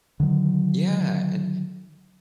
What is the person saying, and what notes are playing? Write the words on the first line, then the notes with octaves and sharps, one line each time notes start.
Yeah, and
D3 D#3 F#3